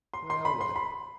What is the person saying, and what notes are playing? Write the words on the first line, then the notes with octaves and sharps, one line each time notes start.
"Well, let him."
C6
C6
B5
C6
B5